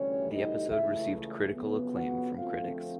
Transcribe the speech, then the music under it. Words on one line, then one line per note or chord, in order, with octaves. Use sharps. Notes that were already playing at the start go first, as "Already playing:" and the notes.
The episode received critical acclaim from critics.
Already playing: D2 C3 E3 G3 C#4 C#5
D#4 D#5
C#2 C#3 E3 A3 E4 E5
F2 C#3 F#3 B3
F#4 F#5
F2 D3 F3 A3 C4 F4 F5